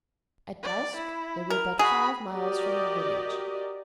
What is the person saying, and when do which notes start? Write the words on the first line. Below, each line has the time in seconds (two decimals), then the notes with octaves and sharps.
At dusk they were but five miles from the village.
0.63 D5
0.96 E4
1.50 A#4
1.79 F#4 G#4 B5
2.31 F#4 G4 A#4 D5 D#5